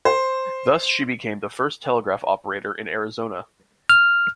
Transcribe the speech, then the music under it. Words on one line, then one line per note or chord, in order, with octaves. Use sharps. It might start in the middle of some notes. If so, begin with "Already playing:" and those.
Thus she became the first telegraph operator in Arizona.
C5
F6